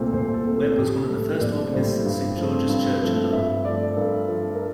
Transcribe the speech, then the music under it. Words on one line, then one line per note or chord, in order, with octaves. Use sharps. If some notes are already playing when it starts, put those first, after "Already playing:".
Webbe was one of the first organists at Saint George's Church in Liverpool.
Already playing: C2 A#2 A3 C4
C2 C5
A4
A#2 A3 C4
A4
A#1 G4
A2 G3 A4
A#1 D5
A2 G3 C5
G2
F3 A3 C4
G2
F3 A3 C4
G2 E5
F3 A3 D5
A4
G2 A#4
F3 A3
A#4